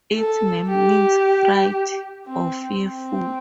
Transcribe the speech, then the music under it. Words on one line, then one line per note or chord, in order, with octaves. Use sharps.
Its name means "fright" or "fearful".
A4
G4
C4
C4